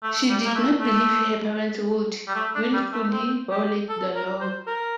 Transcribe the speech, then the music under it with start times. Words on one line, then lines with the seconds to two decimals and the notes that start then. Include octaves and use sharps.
She did not believe her parents would willfully violate the law.
0.03 A3
0.29 G3
0.45 A#3
0.55 A3
0.81 A3
2.28 G3
2.35 A3
2.55 D4
2.73 G3
2.93 A3
3.12 C4
3.51 G4
3.89 A4
4.16 A#4
4.41 C5
4.67 A#4